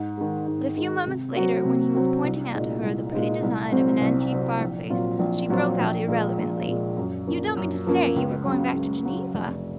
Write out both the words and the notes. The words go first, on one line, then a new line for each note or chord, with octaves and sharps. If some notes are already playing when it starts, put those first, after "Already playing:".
But a few moments later, when he was pointing out to her the pretty design of an antique fireplace, she broke out irrelevantly, "You don't mean to say you are going back to Geneva?"
Already playing: G#2
D#3 G#3
G#2
D#3 G#3
C3
F#3 C4 F#4
C3
F#3 C4 F#4
C2
A#2 G#3 D#4
C2
A#2 G#3 D#4
C2
C3 F#3 C4
C2
C3 F#3 C4
A#1
A#2 F#3 C4 F4
A#1
A#2 F#3 C4 F4
A#1
A#2 G#3
A#1
A#2 G#3
F#2
F3 A#3 C#4
F#2
F3 A#3 C#4
C#2
C#3 F#3
C#2
C#3 F#3
F1